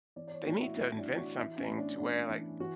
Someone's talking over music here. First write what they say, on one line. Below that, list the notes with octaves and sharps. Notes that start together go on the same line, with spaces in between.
They need to invent something to where, like,
E3 D5
D5
C#5
A2 F#4
E4
A2 E4
D4
E3
F#4
E3 E4
C#4
A2
D4
A2 D4
E3 D4
E3 F#4